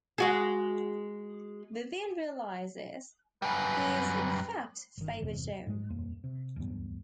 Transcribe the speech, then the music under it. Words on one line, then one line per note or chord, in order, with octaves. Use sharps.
Vivian realizes he is in fact Faber John.
G#3 F#4 G#4
F#2 G3 B4
G1 D#3
G1 E2 C3
G#2 G#3
D#1 F2 A#3
C3
D1 E2 G2 B3